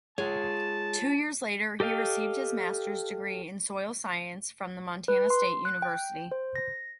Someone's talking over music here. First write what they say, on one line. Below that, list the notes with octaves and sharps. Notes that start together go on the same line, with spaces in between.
Two years later he received his master's degree in soil science from the Montana State University.
G#3 F4 C#5 A5
G4 A4 D#5 F5 G5
B4
C6
F#6
G5
C5
A#6